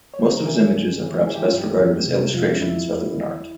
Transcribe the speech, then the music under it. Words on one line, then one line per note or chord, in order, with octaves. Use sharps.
Most of his images are perhaps best regarded as illustrations rather than art.
C#5
E3 C5
A#4
E3
G#4
G2
E3
E3 G#4
G4
F4
G2 G4
F2
C3
F2 F4
E4
C#4
F2 E4
E2
E2